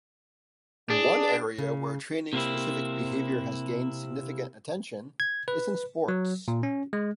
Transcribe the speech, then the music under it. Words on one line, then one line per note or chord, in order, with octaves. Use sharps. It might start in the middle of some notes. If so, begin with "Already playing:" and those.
One area where training specific behavior has gained significant attention is in sports.
D4 G#4
C#3
C3 A#3 C4 E4
G#6
B4
F#3
A#2
C#4
G#3